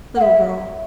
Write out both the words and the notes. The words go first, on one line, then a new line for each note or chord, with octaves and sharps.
Little girl.
F#5
E5